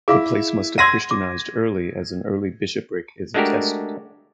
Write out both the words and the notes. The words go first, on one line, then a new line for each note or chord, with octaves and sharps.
The place must have Christianised early as an early bishopric is attested.
E4 G#4 F5 D6
F#5 C6 E6 G#6 A#6 D#7
D6
G#3 A3 D4 F#4 G4 A#4